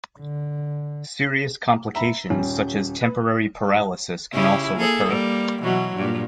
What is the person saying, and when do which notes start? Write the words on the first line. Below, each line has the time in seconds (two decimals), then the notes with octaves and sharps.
Serious complications such as temporary paralysis can also occur.
0.20 D3
1.95 E5 A#5 B5
2.30 D#1 G3 C#4
3.01 B4
4.33 C#3 E4 G4
4.76 A#3 G#4 A4
5.08 G3 A#3
5.62 B2 E3 F#3
5.96 G2 A#2